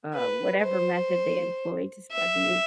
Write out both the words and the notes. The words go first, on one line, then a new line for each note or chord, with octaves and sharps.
uh, whatever method they employ to spread the news.
B4
C5
E5